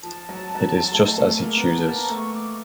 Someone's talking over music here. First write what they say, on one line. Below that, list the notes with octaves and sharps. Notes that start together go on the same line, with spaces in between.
It is just as he chooses.
F3 A5
F#3
F#3
F#3
A3
G#3
A3
A#3
B3 A#5
A5
A#3
A#5
A3
C#6
D6